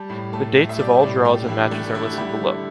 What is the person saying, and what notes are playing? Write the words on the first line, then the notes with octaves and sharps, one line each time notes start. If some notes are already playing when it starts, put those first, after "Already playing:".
The dates of all draws and matches are listed below.
Already playing: G3 A5
A2
A3 A5
A3
E5
G3 D5
A2
A3 G4
D4
E3 E4
A3 D4
D3 E4
G4
G3 E4
D3